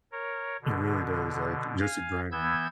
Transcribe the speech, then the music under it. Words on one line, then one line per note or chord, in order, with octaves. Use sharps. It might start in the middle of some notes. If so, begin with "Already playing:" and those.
It really does, like, just grinding.
A#4 C#5
B2 D3
F5 G#5
E3 B3 E6 G6 G#6